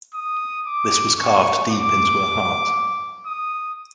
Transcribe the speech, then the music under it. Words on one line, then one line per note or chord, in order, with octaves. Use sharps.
This was carved deep into her heart.
D#6
D6
C#6
D6
D#6